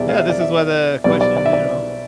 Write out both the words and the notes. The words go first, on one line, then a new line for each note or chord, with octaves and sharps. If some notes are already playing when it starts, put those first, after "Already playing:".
Yeah, this is why the question, you know
Already playing: E2 B2 G3 D5 E5
F5
E5
D5
E5
B1 B2 G3 D5
D5
D5
E5
D5